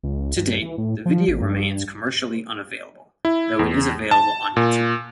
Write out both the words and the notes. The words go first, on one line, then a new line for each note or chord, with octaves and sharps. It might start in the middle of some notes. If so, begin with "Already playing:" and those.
To date, the video remains commercially unavailable, though it is available on YouTube.
C#2
G2
E3
A2
F3
A1
G2
E4
E2
A5
A#2